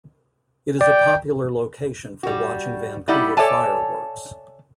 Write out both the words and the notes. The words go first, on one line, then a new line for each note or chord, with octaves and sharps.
It is a popular location for watching Vancouver fireworks.
D5 G5
G3 F#4
G3 D#4 E4 D5 F#5
A4 C#5 D5 E5 G#5 A5